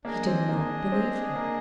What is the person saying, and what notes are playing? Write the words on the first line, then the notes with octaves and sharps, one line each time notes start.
He did not believe her.
A#3 D4 G#4 D#5
C4
A#3
C4
A#3